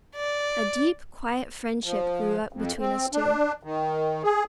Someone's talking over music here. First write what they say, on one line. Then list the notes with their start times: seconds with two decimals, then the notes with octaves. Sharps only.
A deep, quiet friendship grew up between us two.
0.16 D5
1.84 F3
2.53 F2
2.79 C4
3.13 D4
3.63 D#3
4.23 G#4